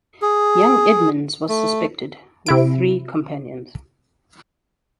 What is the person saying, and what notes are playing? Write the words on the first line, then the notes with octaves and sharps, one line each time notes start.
Young Edmunds was suspected, with three companions.
G#4
A3
C3 E4 D7